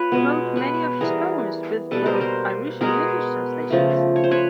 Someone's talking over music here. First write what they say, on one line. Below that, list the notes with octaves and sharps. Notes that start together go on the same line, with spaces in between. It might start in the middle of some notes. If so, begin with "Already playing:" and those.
He wrote many of his poems with both Irish and English translations.
Already playing: F4 B4 C#5
B2 G#3 B3
B4 C#5
E3 G3 B3 G#4 A#4
B2 G3 A#3 A4 B4
A#4 C5
A#4 C5
B2 G#3 B3 G#4 A#4
C#3 F3 A3
C#5
C5
B4 C#5